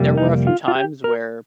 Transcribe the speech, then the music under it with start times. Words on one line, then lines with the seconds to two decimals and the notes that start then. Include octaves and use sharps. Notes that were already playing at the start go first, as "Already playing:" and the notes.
there were a few times where
Already playing: F2 C3 G3 A#3
0.18 D#4
0.47 F4
0.68 F4
0.75 G4
1.04 A#4